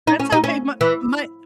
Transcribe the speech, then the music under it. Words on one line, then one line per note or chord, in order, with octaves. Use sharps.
That's okay. My my m
D#4
C#4
D#4
C#4
E3